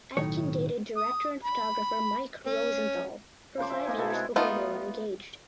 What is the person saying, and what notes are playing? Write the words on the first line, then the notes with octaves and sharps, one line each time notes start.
Atkin dated director and photographer Mike Rosenthal for five years before they were engaged.
B1 A2 D#3 F#3 A3 C#5
D#6
B5
C#4
C#3 F3 C5 D6
E5
A#3 D#4 G#5
B2 E4 A4
G#3 C4 E4
A3 B3 D#4 F4